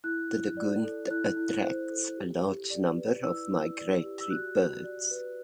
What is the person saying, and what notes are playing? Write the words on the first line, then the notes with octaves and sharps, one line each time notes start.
The lagoon attracts a large number of migratory birds.
E4 F#6
E4
D5
A4
E4 F#6
E4
C5
A4
G4
G4
D5
B4
E4 E6
E4
D5
G4
E6
F#4 F#6
F#4
D5
B4